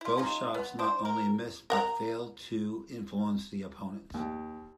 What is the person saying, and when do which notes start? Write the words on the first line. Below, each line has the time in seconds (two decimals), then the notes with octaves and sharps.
Both shots not only missed but failed to influence the opponents.
0.01 E4 F4
0.17 C#4 D#4 F4
0.54 B3
0.79 D4 C5
1.05 A#4
1.70 A#4 F#5 A#5
4.14 D#2